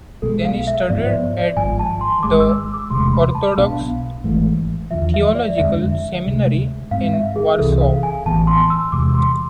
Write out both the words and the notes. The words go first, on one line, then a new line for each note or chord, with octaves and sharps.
Then he studied at the Orthodox Theological Seminary in Warsaw.
B1 B2 G#3 A4
F5
E5
G#2 F3 B3 D5
C5
D5
D5
G#1 G#2 F3 G#5
A5
C6
G#1 G#2 G#3 D6
E6
D6
E1 D2 C3 G#3 C6
B5
A5
B1 B2 B3 D4 F5
G#1 G#2 E3 A3
E2 D3 F3 E5
E5
D5
F2 D3 G#3 E5
D2 C3 G#3
G#2 G#3 C4 F5
E5
G#4
C2 C3 E3 A4
F5
G#5
A1 A2 E3 B3 A5
C6
E6
E2 C3 G#3 D6
C6